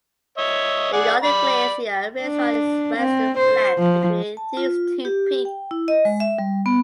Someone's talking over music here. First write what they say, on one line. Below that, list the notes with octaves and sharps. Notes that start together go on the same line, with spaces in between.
The Yawning Glacier rests on its western flank between these two peaks.
C#5 D#5 E5
G#4 D5 F#5
D5 B5
D4
C4
C5
F3
A5
F4
G4
G5
E4
D#5
G#3
E5
G3
B3